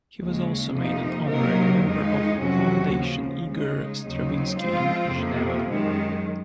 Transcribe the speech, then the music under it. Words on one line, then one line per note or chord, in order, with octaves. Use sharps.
He was also made an honorary member of Fondation Igor Stravinsky in Geneva.
D#2 C#3 G#3
F2 C3 F3 A#3 D#4
C3 F#3 A#3 D#4 A#4
F2 D#3 G#3 D#4
F2 C3 F#3 C#4 F#4
D#2 C#3 F3
C#3 G#3 D#4
D#2 C#3 F#3 C4 D#4
F3 G#3 C4 F4 C5
F2 C3 F3 A#3
F#2 D#3 G#3